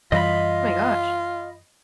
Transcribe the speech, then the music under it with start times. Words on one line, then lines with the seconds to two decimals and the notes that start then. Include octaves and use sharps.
My gosh.
0.12 F#2 E3 G3 F4 D#5 B5